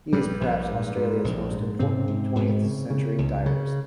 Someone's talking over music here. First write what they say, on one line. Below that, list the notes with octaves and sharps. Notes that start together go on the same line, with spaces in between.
He is perhaps Australia's most important twentieth-century diarist.
A#1 G2 G3
A#1
G#2
G#2
A#1
G#2
G#2 C3 C4
G#2
G#2
C#3
C#3
C#2
C#3